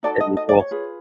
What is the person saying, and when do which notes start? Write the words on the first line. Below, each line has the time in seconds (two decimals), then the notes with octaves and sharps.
that'd be cool.
0.03 D#4 F#4 A4 D5
0.20 D#5
0.37 D#5
0.49 D5
0.59 C#5
0.71 F4 G#4 B4